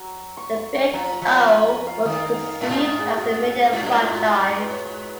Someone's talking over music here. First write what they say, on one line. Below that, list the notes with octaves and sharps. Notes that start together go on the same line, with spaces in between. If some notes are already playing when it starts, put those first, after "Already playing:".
"The Big O" was conceived as a media franchise.
Already playing: F#3
C#6
C#6
C#6
F3 A#5
A#5
F3
A#5
G#5
F5
D#3 D#5
F5
F#5
F5
G#2 F5
A#2
G#2 D#5
G#4
F#4
G#2 F#4
F#2
G#2 D#4
F4
F#4
A#4
A#4
B4
C#5
F#5